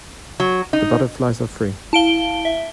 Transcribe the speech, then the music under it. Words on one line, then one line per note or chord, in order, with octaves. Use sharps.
The butterflies are free.
F#3
D#4
E4 F5 A5 D7 G7
E5